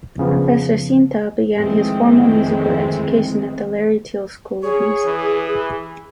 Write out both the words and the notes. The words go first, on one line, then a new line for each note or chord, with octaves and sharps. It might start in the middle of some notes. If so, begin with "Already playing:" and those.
Professor Sinta began his formal musical education at the Larry Teal School of Music.
F2 C#3 F3 B3
F2 A2 D#3 E3 G#3 C4
G#4 C#5
E3